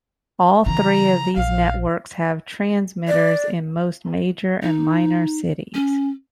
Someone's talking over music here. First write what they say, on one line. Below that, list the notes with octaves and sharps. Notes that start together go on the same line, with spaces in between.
All three of these networks have transmitters in most major and minor cities.
C#3 E3 A#5
A#1 F5
D5
D#4
C#4